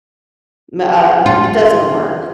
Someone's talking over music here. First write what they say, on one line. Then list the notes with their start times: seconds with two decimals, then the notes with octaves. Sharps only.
ma uh, m it doesn't work.
1.26 F4